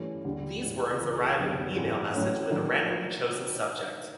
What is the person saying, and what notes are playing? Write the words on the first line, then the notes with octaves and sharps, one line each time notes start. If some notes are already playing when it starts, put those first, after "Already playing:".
These worms arrive in an email message with a randomly chosen subject.
Already playing: G2 E3 A3 C#4
D#2 D3 G3
A2 E3 G#3
C#2 C#3 E3
F#2 D3 G3 B3 D#4
G#2 E3 G#3 C4
A2 F#3 A3 C#4
D#3 F#3 A#3 D4